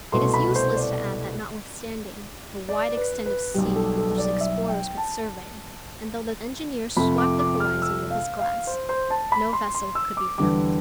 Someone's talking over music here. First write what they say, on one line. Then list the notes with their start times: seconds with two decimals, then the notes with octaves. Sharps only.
It is useless to add that notwithstanding the wide extent of sea which the explorers could survey, and though the engineer swept the horizon with his glass, no vessel could be found.
0.12 C2 B2 A3 C6
0.34 B5
0.55 C5
0.76 D5
2.69 D5
2.97 B4
3.26 B4
3.54 B1 B2 G3 G4
3.76 A4
3.97 A4
4.18 D5
4.40 E5
4.68 G5
4.97 A5
6.97 F2 C3 F3 A3 B5
7.18 D6
7.39 D6
7.60 F6
7.82 E6
8.10 F5
8.39 F5
8.67 C5
8.89 C5
9.10 A5
9.32 B5
9.53 C6
9.75 C6
9.95 E6
10.17 D6
10.38 E2 D3 G3 D6